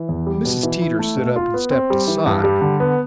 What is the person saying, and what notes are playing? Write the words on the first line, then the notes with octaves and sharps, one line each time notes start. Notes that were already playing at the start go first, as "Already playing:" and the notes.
Mrs. Teeter stood up and stepped aside.
Already playing: E3
E2
G3
B2
E3
E4
A3
B2
F4
B3
C4
G3
E3
G2
G3
D3
B3